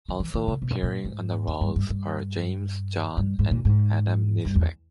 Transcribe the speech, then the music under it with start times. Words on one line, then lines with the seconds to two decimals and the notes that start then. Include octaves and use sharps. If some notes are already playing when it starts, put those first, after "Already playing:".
Also appearing on the rolls are James, John and Adam Nisbet.
0.09 D#3
0.20 E3
0.34 D#3
0.48 C#3
0.62 B2
0.83 A#2
1.05 G#2
1.47 E2
1.61 G2
1.76 G2
1.90 G2
3.17 G2
3.39 G#2
3.51 A#2
3.65 G#2
4.45 G2
4.55 E2